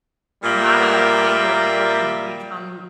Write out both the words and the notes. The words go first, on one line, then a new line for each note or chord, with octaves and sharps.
not a thing where people can become
A#2 G3 A#3 E5 G5